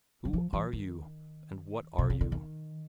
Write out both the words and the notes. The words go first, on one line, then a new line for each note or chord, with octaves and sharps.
Who are you? and what are you?
F#3
F3
E3
D#3
C3
C#3
D3
D#3